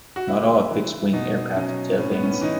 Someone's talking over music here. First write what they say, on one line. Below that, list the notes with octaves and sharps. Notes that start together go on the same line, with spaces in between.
Not all fixed-wing aircraft have tailplanes.
F#4
C#3 E4
E3
B2 D#4
F#3 C#4
A2 C#4
B3
C#4
C#4
E3 D#4